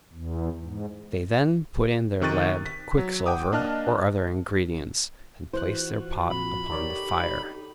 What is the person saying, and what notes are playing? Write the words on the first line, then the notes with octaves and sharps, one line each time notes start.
They then put in their lead, quicksilver, or other ingredients, and placed their pot upon the fire.
E2
G#2
C3 D#3 C#6 F#6 A6 D#7
B6
F#3
F#5 G5 D6 D#6
A#3 D4 D#5 A5 F6 F#6
E3 F4 F#4 C5 F#6
A#1 F2 B5
D3 D#4 G4 A#4 C#5 D5